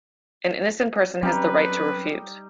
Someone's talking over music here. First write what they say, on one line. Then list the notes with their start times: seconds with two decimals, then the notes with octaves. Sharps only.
An innocent person has the right to refute.
1.23 F#3 G3 C4 C#4 D#4 B4